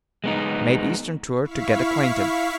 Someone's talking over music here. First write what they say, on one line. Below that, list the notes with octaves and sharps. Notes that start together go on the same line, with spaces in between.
Made Eastern tour "to get acquainted."
G#3 B3 D#4
E4 F5 C#6 B6